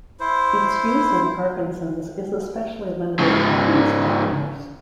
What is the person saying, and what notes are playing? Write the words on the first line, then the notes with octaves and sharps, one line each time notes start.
Its use in Parkinson's is especially limited by these factors.
E4 C5
G#2 C#3